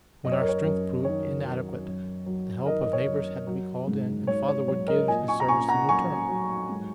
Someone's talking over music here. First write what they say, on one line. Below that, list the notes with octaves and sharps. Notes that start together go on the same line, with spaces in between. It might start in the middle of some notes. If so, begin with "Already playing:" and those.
When our strength proved inadequate, the help of neighbours had to be called in, and father would give his services in return.
F#2 D#5
C#5
A#4
C#5
F#2 A#4
D#3 C#5
F#3
F#2
F#3
D#3 A#4 D#5
D#5
C#5
F#2
F#3
G#2
G#2 C#5
C#5
F#3 C#5
A#4 D#5
A#2 D#5 G#5
G#5 C#6
A#5
A#2 G#5 C#6
F#5 A#5
F#3 G#5 C#6
F#3
G#2